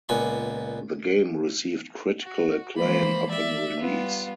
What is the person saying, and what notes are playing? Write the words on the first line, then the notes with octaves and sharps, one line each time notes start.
The game received critical acclaim upon release.
C#2 A#2 B3 G#5 B5
F#4
E3 F3 G#3 A#3 C5 B5
D5 E5
G3 B3 F4